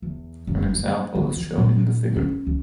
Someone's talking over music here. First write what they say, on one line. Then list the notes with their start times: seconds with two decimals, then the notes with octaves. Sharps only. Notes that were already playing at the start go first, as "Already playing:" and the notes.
An example is shown in the figure.
0.02 E2
0.47 F#1
0.73 F#2
1.15 B3
1.36 E3
1.57 A#2
2.16 C#4
2.47 C#2